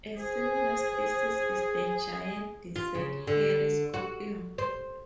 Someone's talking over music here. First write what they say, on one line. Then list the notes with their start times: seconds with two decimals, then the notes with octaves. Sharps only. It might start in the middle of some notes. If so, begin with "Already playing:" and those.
A similar species is the giant desert hairy scorpion.
0.17 G#4 C5
2.76 F4
2.95 C#3
3.27 D3
3.94 F#4
4.58 C5